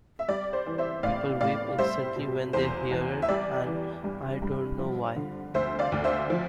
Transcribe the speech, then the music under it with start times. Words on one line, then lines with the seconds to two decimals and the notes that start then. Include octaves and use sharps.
People weep instantly when they hear it, and I don't know why.
0.19 E5
0.28 G3 D5
0.53 C5
0.66 E3
0.78 C5 E5
1.03 A2 D5 F5
1.41 A2 D5 F5
1.78 G3 C5 E5
2.16 B2
2.53 E2 C5
2.91 E2
3.22 E5
3.29 G3 D5
3.66 E3
4.04 G2
4.42 G2
4.79 F3
5.16 D3
5.54 D2 C5 E5
5.79 D5 F5
5.92 D2
6.04 C5 E5
6.30 F3